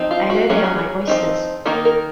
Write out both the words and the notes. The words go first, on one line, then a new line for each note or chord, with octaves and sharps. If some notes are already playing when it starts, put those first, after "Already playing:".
I know they are my oysters.
Already playing: F3 C4 D#4
F4
F#4
F#3 C#4 G#4
F#4
G#4
F3 C4 D#4
D#3 A#3 D#4 A#4
A#4